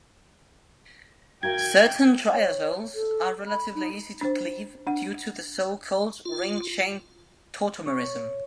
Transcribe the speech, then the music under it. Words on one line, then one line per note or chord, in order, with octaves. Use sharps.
Certain triazoles are relatively easy to cleave due to so-called ring-chain tautomerism.
F#4 A#4 F5 G5 G#6
C#5
A4
B5
D#4
D4 C5
D4 F#5
F4
C#5